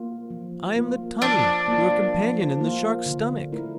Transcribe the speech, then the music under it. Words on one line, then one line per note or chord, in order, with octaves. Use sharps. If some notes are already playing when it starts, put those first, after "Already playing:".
"I am the Tunny, your companion in the Shark's stomach."
Already playing: A#3 F4
F3
A#3 F4
F3 D4
A#3 F4
F3
A#3 F4
D3
A3 E4 A#4